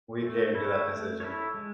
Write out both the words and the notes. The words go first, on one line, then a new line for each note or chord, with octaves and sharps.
we came to that decision.
A3
E4 A4 C#5
A3
E4 A4 C#5
G#3